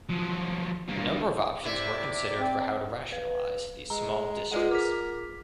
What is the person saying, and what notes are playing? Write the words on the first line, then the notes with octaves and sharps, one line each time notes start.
A number of options were considered for how to rationalise these small districts.
F3 F#3
G2 A#3
C3 E4 D5
C4
B4
G#3 A#5
G#3 F4 G#4 F#5
A#4 D6 B6